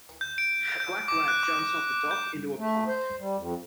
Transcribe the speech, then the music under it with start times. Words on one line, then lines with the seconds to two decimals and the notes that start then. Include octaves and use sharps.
A black lab jumps off a dock into a pond.
0.21 G6
0.38 D7
0.80 G6
1.08 D6
1.28 F#6
1.43 D6
1.59 D6
2.11 G6
2.58 A3
2.87 C5
3.19 G3
3.37 F2